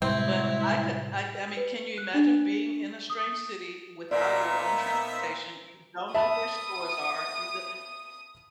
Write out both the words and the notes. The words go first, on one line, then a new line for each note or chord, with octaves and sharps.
but, I could- I I mean, can you imagine being in a strange city without your own transportation, you don't know where stores are, you do
A2 C3 G3 G#3 C4 E4
B4
F#6
D4
D#6
A#2 A#3 B3 D#4 A#4 C5 D5 E5
E5 A5 B5 D#6